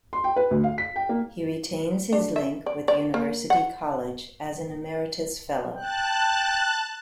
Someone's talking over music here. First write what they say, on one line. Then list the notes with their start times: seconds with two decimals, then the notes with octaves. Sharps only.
He retains his link with University College as an Emeritus Fellow.
0.13 C6
0.24 G5
0.36 B4
0.51 D2
0.64 F5
0.78 B6
0.96 G5
1.09 A#3
2.13 D4
2.36 E5
2.66 D5
2.88 D5
3.14 A#3
3.50 F#5
5.76 G5 A5 F#6